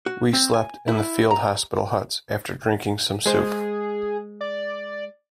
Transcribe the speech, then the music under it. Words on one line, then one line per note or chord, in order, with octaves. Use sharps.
We slept in the field hospital huts, after drinking some soup.
F#4
C4
G#5
E4
A#5
G#3 G#4 C5
D5